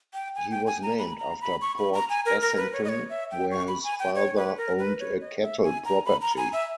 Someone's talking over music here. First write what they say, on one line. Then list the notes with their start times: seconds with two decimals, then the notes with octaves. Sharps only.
He was named after Port Essington, where his father owned a cattle property.
0.14 G5
0.35 G#5
0.51 G5
0.66 G#5
0.83 A#5
0.99 B5
1.19 A#5
1.41 B5
1.61 C#6
1.78 B5
1.93 A#5
2.09 G#5
2.25 A#4
2.41 A#4
2.57 B4
2.73 C#5
2.84 D#5
2.89 C#5
3.09 E5
3.31 G5
3.51 C#6
3.68 B5
3.84 G#5
3.99 G5
4.15 C#5
4.36 B4
4.57 A#4
4.79 B4
5.00 C#5
5.21 D#5
5.42 E5
5.63 G#5
5.85 A#5
6.05 B5
6.21 A#5
6.37 G#5
6.53 E5